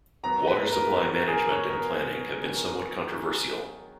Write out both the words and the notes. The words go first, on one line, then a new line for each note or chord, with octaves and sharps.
Water supply management and planning have been somewhat controversial.
D#3 F#3 B3 A#5
B4
A#4
D#3 F#3 B3 A#4
A#4
G#4
A#4
C#5
D#3 F#3 B3 A#4
D#3 F#3 B3